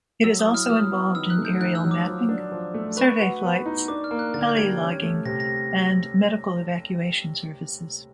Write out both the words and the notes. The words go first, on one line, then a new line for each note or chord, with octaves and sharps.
It is also involved in aerial mapping, survey flights, heli-logging and medical evacuation services.
F#3 E6
D#6
E4
F6
F#3 D#6
B3
D#3 E6
F#6
A3
G6
D#3 F#6
E6
F#3
D6
F3
D4
F3
A3
B4 C#6
F#4
B3
D#4
D4 D6
F6
A#3
F#6
D3 A6
G#6
G6
G3 G#6
C#4
A3
C3 A#6
A#6